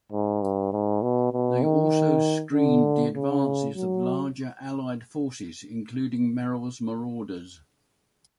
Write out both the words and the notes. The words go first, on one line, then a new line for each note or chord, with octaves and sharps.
They also screened the advances of larger Allied forces, including Merrill's Marauders.
G#2
G2
G#2
B2
B2
D#3
D3
C#3
F#3